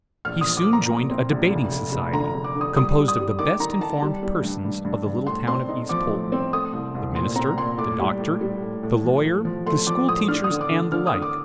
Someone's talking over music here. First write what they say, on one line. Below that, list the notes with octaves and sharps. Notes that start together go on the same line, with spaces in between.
He soon joined a debating society, composed of the best-informed persons of the little town of East Poultney,--the minister, the doctor, the lawyer, the schoolteachers, and the like.
A#1 F6
D#6
F3
D6
A#2
A#5
A#2
C4
A#1
F1
F1
F1
D3 A#5
F1
D6
D3
D#6
G3 D#6
G3
D#6
G3
D#3 D6
D#3 A#5
D#3 A5
G3
G3
G2
G2
G2
G2
A2 C6
C4 C6
D#4
F3 D6
A2
C4
A3 D#6
C2
C2
A#2 C6
C4 A#5
A#2 C6
A2 D6
G3
A2
G3
A2
A2
F3
A2
F3
A3 C6
F3 D6
A2 D#6
D4 F6
D#6
D3
D6
D3
D3 F6
D#6
D3
D6